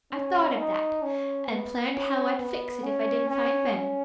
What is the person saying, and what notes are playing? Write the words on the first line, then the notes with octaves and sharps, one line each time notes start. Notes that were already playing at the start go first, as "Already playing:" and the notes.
I thought of that, and planned how I'd fix it if I didn't find Ben.
C#4
D#4
C#4
B3
C#4
B3
C#4
C#4
C#4